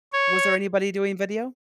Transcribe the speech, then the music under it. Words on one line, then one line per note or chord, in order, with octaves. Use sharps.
was there anybody doing video?
C#5